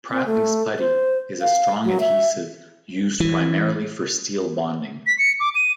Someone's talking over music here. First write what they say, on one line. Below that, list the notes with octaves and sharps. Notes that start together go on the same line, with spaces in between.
Pratley's Putty is a strong adhesive used primarily for steel bonding.
C4
A3
C5
F5
F#3
E5
E3
B6
C#7
D6
D#7